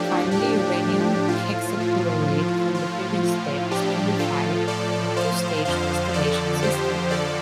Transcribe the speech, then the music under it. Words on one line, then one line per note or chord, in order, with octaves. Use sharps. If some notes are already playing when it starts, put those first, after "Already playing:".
Finally, uranium hexafluoride from the previous step is purified in a two-stage distillation system.
Already playing: A2 F3 D4 G4
D4 G4
F4
A2 F3
F4
F4
A2 F3 D4 G4
F4 A4
A4 D5
C5 F5
F2 D3 F3 C5 F5
A4 D5
G4 C5
A4 D5